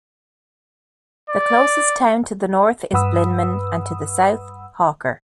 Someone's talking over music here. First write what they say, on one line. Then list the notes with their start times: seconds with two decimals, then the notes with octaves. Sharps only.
The closest town to the north is Blinman and to the south, Hawker.
1.30 D5
2.93 G2 B4 F#5 B5 D#6 E6